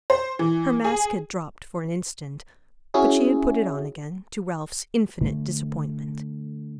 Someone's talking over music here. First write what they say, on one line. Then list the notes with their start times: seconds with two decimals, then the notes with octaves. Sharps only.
Her mask had dropped for an instant, but she had put it on again, to Ralph's infinite disappointment.
0.10 C5
0.39 E3
0.84 G#4
2.94 C#4 E4 F#4 G#4
5.21 D3 A3